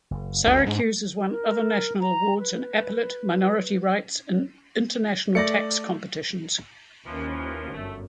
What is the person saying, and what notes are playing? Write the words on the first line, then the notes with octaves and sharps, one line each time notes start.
Syracuse has won other national awards in appellate, minority rights, and international tax competitions.
F#1
G1 D2
G#2 D4
A#4
A#5
B4
A3 D5 A#6 C#7
D#2 E3 F3 A#3 C#4
G1 F#2 A3